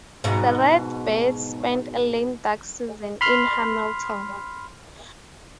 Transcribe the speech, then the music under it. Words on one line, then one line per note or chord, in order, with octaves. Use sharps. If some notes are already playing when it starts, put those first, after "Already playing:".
The Redbirds spent a lame duck season in Hamilton.
G#2 B2
B5 C6 F6